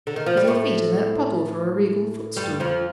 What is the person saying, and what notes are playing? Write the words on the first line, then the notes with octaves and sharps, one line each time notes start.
'With your feet in that puddle for a regal footstool!
D3
D#3
F3
G3
A2 A3
G2 G3
F2 F3